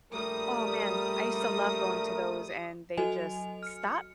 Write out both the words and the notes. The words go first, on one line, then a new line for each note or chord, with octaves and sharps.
oh, man, I used to love going to those and they just stopped
A#1 G3 A3 A#4 D#6
F#3 F#4 A4 D#5 G#5 F7
F6 C#7